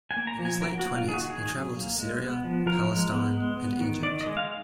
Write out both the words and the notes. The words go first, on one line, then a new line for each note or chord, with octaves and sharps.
In his late twenties, he travelled to Syria, Palestine and Egypt.
G#5
A#3
A#5
F3
G#5
F#3 A#4
F#4
A#3
F4
D#3 G#4
F#4
D#3 G#4
F#3
A#3
G#3
B3
F3
F3 A#4
G#3
B3
G#3
B3
D#3
D#3 D5
D#5
G#3
F5